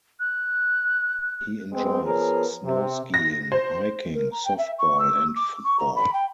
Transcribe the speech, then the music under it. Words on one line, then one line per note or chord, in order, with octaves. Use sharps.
He enjoys snow skiing, hiking, softball and football.
F#6
G#3 B3 C4
F3 B3 G#4 A#4 C#5
C3
A#6
C5
A#4
A#5
G5
E5
C#6
E6
D6
C#6
A#5
B5
G5